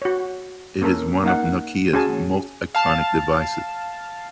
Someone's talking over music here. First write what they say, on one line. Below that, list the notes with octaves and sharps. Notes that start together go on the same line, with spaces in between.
It is one of Nokia's most iconic devices.
F#4 C#5
A#3 C#4 A4 A#4
A#3 D#4 F5 F#5
C#4 F#4 G#4 C#5 G#5 A5
F5 A5